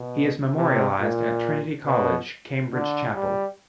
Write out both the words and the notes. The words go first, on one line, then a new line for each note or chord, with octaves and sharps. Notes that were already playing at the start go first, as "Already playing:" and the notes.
He is memorialised at Trinity College, Cambridge chapel.
Already playing: B2
C3
A#2
B2
D3
G3